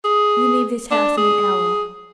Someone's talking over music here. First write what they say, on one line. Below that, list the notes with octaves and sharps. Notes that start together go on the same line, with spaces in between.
You leave this house in an hour.
G#4
D4
G#4